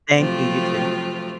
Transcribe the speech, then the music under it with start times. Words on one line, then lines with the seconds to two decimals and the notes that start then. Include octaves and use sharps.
Thank you, you too.
0.17 C3 F3 F#3 A3 C4 F4